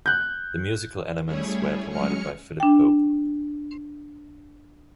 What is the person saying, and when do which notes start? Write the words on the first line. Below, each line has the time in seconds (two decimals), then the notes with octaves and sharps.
The musical elements were provided by Philip Pope.
0.06 F#6 G6
1.25 G3 A3 C#4 E4 G#4 C#5
1.90 F#3 G#3 C#4 F6 C#7
2.60 D4 G5